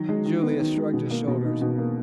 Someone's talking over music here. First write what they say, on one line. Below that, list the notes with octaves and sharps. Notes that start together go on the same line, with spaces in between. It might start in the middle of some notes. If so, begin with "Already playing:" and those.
Julius shrugged his shoulders.
Already playing: D#3 F#3
G#3
D#3
B3
D#3
G#3
B2
A#3
B2
D#4
B2
A#3